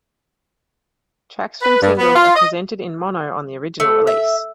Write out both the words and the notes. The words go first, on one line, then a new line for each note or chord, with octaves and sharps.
Tracks from singles are presented in mono on the original release.
B4
G2
B3
F4
D#5
A3
E5